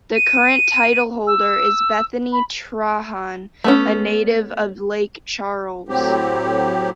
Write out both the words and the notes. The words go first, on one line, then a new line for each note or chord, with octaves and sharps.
The current titleholder is Bethany Trahan, a native of Lake Charles.
D#7
E6
B5
A3 B3 C#4
A2 F#3 C4 G4